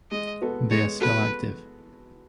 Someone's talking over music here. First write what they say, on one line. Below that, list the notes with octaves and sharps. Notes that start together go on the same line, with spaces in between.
They are still active.
G#3 D#5
B3 F#4 A4
G#3 C#5
B3 F#4 A4 B4